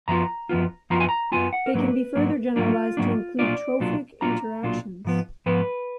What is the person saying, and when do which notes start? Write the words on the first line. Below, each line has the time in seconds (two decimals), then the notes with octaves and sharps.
They can be further generalised to include trophic interactions.
0.08 F#2 F3 B3 F4 A#5
0.49 F#2 F3 B3 F4
0.90 F#2 F3 B3 F4 A#5
1.00 G#5
1.09 A#5
1.32 F#2 F3 B3 F4 G#5
1.53 F#5
1.66 A#4
1.74 G#2 F#3 A#3 D4 B4
2.15 G#2 F#3 A#3 D4
2.56 G#2 F#3 A#3 D4 F4
2.97 G#2 F#3 A#3 D4
3.39 B1 A#2 F#3 D4 F4 D5
3.80 B1 A#2 F#3 D4 F4
4.21 B1 A#2 F#3 D4 F4 A#5
4.63 B1 A#2 F#3 D4 F4
5.05 G#2 F3 B3
5.46 G#2 F3 B3 B4